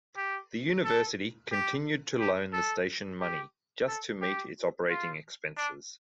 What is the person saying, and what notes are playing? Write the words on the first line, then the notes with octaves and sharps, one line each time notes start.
The University continued to loan the station money just to meet its operating expenses.
G4
A4
G4
G4
A4
G4
A4
G4
F4
D4